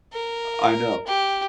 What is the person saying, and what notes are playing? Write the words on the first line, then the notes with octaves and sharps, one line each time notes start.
I know.
A#4
G4